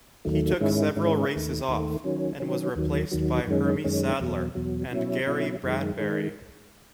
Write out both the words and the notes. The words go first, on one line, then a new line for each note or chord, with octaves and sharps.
He took several races off, and was replaced by Hermie Sadler and Gary Bradberry.
D#2 D#3 F#3 A3
G#2 D#3 G#3 C#4 E4
G#2 D#3 G#3 C#4 E4
D#2 D#3 A3
D#2 D#3 A3
D#3 F#3 C#4
D#3 F#3 C#4
D#2 D#3 F#3
D#2 D#3 F#3
F#2 D#3 G#3 C#4
F#2 D#3 G#3 C#4
E2 B2 F#3
E2 B2 F#3
B2 F#3 C#4 E4
B2 F#3 C#4 E4
F#2 D#3 G#3
D#3 G#3